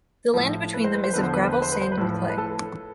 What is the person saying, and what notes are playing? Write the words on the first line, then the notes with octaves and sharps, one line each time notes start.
The land between them is of gravel, sand and clay.
A2 F3
B4
C5
B4
C5
E2 D3 F3 B4
C5
B4
C5
B4
C5
B4
C5
B4
A2 F3
B4
A4